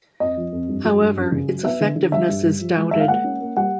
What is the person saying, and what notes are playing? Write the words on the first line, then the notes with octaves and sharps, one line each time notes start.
However, its effectiveness is doubted.
F2 D#5
F3
F2
G2
F#3
G2
F#2
C#3
F#3
B3 E5
D3
D3
G3 E5
G2
G3
F3
G#3
G#3 E5
F5
A#3 F#5
C#4
A#3
G3 F#5